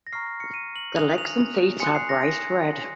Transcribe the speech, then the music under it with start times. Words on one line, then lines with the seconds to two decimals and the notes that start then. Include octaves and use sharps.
The legs and feet are bright red.
0.07 A#6
0.13 A#5 C#6 F6 C7
0.27 A#6
0.40 C#7
0.54 D#7
0.76 F#7
0.96 G#5 D#6 F#6 F7
1.18 F7
1.80 G#5 C6 D#6 F#6 C#7
1.95 C7
2.09 A#6